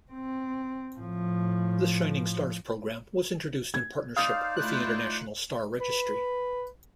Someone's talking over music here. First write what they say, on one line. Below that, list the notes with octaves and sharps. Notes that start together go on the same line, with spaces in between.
The Shining Stars program was introduced in partnership with the International Star Registry.
C4
A2 F3
G#6
D#4 C5 D5 F5 D#6 F7
A3 E4 F4 F#6
B4